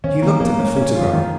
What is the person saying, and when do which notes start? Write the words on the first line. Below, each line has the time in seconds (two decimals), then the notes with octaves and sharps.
He looked at the photograph.
0.04 D#3 C#4
0.22 A#3
0.40 F3 A#3
0.52 G#3
0.59 C#4
0.64 G#3
0.76 A#3 C#4
0.89 F#3
0.95 F4
1.01 D#3
1.13 D#3 G#3